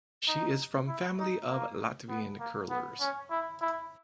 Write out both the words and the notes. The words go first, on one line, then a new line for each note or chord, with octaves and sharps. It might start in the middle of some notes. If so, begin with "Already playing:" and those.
She is from family of Latvian curlers.
D#4
E4
D#4
A#3
B3
A#3
B3
C#4
E4
E4